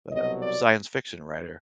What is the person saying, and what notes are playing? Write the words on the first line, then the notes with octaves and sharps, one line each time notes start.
the science fiction writer,
C2 B2 F#3 D#5
D5